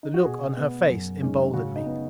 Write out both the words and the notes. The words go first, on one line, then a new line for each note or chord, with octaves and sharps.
The look on her face emboldened me.
D#4
F#4
B2 G#4
B3
F#2
D#3 G#3 C#4
C#3 F#4
D#4
B3